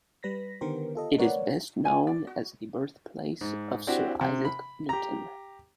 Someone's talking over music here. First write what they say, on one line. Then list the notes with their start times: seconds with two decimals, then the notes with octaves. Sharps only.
It is best known as the birthplace of Sir Isaac Newton.
0.23 G3 B4 A#6 B6
0.61 D3 D#3 B3 G4 A#4 C5
0.95 F4 A4 D#5
1.18 A3 A#4 B4 C#5 D5 F#5
1.85 G#5
2.07 D5
2.27 F#4
3.41 G#2
3.87 C4 D4 E4 F#4 G4
4.21 C3
4.45 B5
4.89 G4 A#5